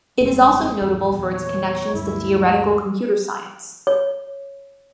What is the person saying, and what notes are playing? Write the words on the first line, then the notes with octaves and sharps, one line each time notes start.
It is also notable for its connections to theoretical computer science.
F1 G2 G#3 C4
G#1 E2
E2 A#2
C#5
D2 G2 A3 E4
G#3
C#5